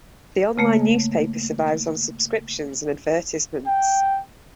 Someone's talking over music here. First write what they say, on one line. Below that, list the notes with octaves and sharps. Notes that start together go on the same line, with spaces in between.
The online newspaper survives on subscriptions and advertisements.
C#3 A3 A#3
G5